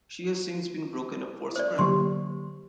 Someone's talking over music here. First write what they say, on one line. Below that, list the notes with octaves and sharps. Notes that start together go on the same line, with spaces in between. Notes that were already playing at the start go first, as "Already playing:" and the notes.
She has since been broken up for scrap.
C5 D5
D3 F#3 A#3 G4 C6